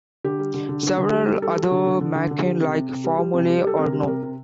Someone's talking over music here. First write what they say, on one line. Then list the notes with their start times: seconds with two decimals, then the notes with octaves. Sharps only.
Several other Machin-like formulae are known.
0.24 D3 G4
0.39 G3
0.54 D3
0.69 D3
0.83 D3
0.98 D3
1.12 G3
1.28 G3
1.42 G3 A4
1.57 G3
1.71 D3
1.87 D3
2.01 D3
2.15 D3
2.31 D3
2.45 G3
2.60 C3
2.74 C3
2.89 C3
3.04 G3
3.18 G3
3.34 C3
3.49 G3
3.57 G4
3.64 G3 A4
3.77 C3 A#4
3.93 G3
4.07 C3 A#4
4.23 C3